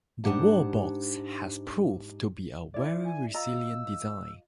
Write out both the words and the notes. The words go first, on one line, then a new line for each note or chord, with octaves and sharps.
The wall box has proved to be a very resilient design.
G#2 F3 D4 G4 F#5 A5
E4 D5
G#5
F4 D#5 A#5 E6